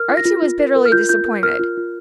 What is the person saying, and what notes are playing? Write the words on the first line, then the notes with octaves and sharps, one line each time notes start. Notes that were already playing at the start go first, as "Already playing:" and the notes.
Archie was bitterly disappointed.
Already playing: A#4 F6
F4
A#6
F4
F4
A#4
A#4
F6
F4 G6
F4 G6
A#4
A#4 F6
F4
F4